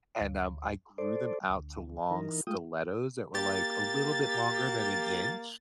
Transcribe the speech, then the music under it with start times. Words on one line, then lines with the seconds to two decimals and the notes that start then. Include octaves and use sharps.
And, um, I grew them out to long stilettos that were like a little bit longer than an inch.
0.21 D2
0.98 A4 C5 D5
1.49 D2
2.10 E3 D#4 A#4
2.47 G#3 A3 F4 G5 D#6
3.35 A#3 G4 A6